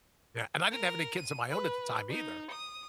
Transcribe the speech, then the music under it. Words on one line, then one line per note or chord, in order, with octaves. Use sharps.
Yeah, and I didn't have any kids of my own at the time either,
A#4
D#7
B4
D#4
D#6